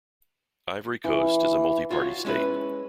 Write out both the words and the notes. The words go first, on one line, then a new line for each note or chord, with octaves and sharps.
Ivory Coast is a multiparty state.
E3
F4 F#4 C#5
G#3 C#4 E4 B4